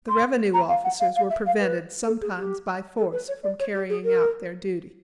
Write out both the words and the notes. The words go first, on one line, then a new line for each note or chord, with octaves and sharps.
The revenue officers were prevented, sometimes by force, from carrying out their duties.
C6
A#5
F5
F#5
F5
F5
E5
F5
B4
A4
G#4
G4
A4
B4
C#5
D5
C#5
G4
G#4
A#4